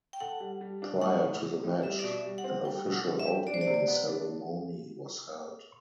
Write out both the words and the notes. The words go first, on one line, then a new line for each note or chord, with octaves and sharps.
Prior to the match an official opening ceremony was held.
G5
A4 F#5
G3
G3
D4
A2 F#5
A2
E3
A2
G3 E5
B2 D5
E5
G3
F#5
C4
G3 G5
B2
F#5
G3
E5
G4
D4 D5
C5
D5
C3
D5
B3
D4